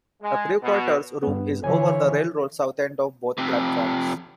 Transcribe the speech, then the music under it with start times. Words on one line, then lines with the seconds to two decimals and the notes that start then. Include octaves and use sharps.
A crew quarters room is over the railroad south end of both platforms.
0.22 G#3
0.63 B2
1.23 G2 B3
1.64 D3 E3 F3 C#5 G#5
3.38 F2 C3